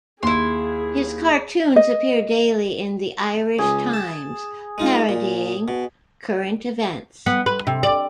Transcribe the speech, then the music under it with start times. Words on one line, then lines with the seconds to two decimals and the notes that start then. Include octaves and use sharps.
His cartoons appear daily in "The Irish Times" parodying current events.
0.23 D#2 E4 G#4 C6
1.76 D#5
3.59 C#2 G#4
3.94 A5
4.78 G#3 D#4 F4
5.09 A#2
5.68 B2
7.26 B3
7.46 B4
7.67 C3
7.83 D5